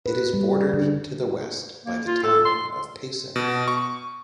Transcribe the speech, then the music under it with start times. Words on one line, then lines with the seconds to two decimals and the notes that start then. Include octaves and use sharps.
It is bordered to the west by the town of Payson.
0.06 B4
0.34 G3
0.73 D3
1.85 A#3
2.06 F4
2.23 A4
2.45 C6
3.36 B2
3.68 C#6